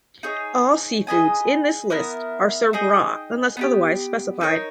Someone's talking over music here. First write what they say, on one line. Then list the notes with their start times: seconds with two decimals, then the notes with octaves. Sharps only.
All seafoods in this list are served raw unless otherwise specified.
0.23 D#4 G#4 C#5
1.07 G#4 B4 D#5 G#5
1.90 B3 E4 A#4
2.73 D#4 G#4 D#5 G5
3.57 B3 D#4 G4
4.41 D#4 A#4 C#5